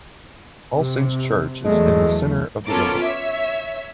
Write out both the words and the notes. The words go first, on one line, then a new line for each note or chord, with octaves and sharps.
All Saints Church is in the centre of the village.
C3
E2 F#3 G#3 A3
B3 C#4 F4 A4 A#4 D6
C#5 E5